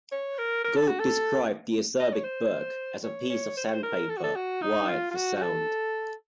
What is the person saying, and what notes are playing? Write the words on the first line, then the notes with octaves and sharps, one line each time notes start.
Gould described the acerbic Burke as a piece of sandpaper wired for sound.
C#5
A#4
A#4
A4
F#4
A4
D#5
C#5
C5
C#5
C#5
C5
C#5
C5
A#4
A4
F#4
A4
F#4
D#4
F4
F4
F#4
F#4
A4